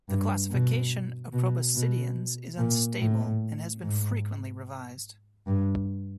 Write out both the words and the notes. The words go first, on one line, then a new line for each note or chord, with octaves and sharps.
The classification of proboscideans is unstable and has been frequently revised.
G2
B2
B2
B2
A#2
A2
G#2
G2